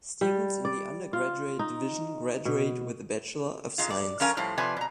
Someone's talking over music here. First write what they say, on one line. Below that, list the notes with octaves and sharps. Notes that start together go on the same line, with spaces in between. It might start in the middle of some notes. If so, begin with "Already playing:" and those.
Students in the undergraduate division graduate with a Bachelor of Science.
G3
D5
F4
D#4
B2
G#2 G#3 F4
D5
F3 C#4 A#4 F5 G#5
A2 F3 G3 C5
C3 F3 B4 D5 G#5
B2 A#5